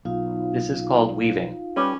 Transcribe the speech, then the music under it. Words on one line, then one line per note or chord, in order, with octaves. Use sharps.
This is called Weaving.
B1 D#4 F4 F5
G3 C#4 B4 G5